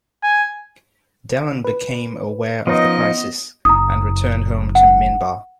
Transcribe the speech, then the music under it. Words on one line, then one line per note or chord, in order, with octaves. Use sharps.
Delenn became aware of the crisis, and returned home to Minbar.
G#5
B4
F3 B3 C#4 D#4 B4 C#5 D#5
F#1 A#5 D#6
F#5